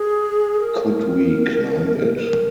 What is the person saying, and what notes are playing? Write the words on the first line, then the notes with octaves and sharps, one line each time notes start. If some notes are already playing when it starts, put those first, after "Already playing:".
Could we climb it?
Already playing: G#4
A#4
B4
A#4